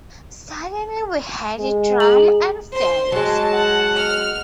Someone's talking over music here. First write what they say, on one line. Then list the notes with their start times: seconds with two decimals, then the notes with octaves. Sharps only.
"Suddenly we heard a drum and fifes!".
1.59 G#3
2.00 G#4 A#5 F#7
2.72 C5 C6
3.12 F#3 G#3 A5
3.54 F#5
3.96 F6